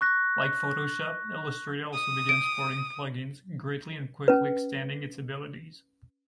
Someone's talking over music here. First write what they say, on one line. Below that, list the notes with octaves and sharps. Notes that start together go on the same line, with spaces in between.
Like Photoshop, Illustrator also began supporting plug-ins, greatly and quickly extending its abilities.
C#6 F#6 A#6
D#6
D7
C#4 B4